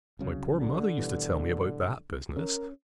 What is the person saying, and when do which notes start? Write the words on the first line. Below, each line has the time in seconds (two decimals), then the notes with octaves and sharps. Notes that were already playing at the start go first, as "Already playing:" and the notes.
My poor mother used to tell me about that business.
0.19 C2 C#3 F#3
0.60 D3
0.98 B2 E3 G3
2.37 C#4 A#4